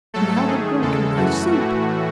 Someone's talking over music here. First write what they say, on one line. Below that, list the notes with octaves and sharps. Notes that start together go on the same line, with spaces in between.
"You haven't drunk your nice soup."
G#2 F#3 A3 A4
G#2 D#3 A3 G#4
E2 C#3 G#3 A4
F#2 E3 A3 F#4
A2 E3 A3 F#4